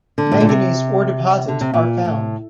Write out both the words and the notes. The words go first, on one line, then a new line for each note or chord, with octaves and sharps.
Manganese ore deposits are found.
D3
A2
A#2
C3
D3
C3
A#2
A2